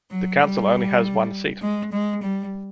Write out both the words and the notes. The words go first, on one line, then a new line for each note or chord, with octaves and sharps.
The council only has one seat.
F#3
G3
G#3
G#3
G3